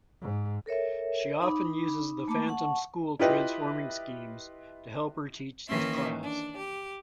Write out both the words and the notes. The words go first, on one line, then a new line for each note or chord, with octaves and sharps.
She often uses The Phantom's school transforming schemes to help her teach the class.
G#2
A4 A#4 C#5 E5
D#4 B5 D6
A3 A#3 A5 B5 D6
F#5 A5 C#6
E4 F4 G4 B4 D#5
D#3 E3 A#3 C#4 E5 C6
D4
G4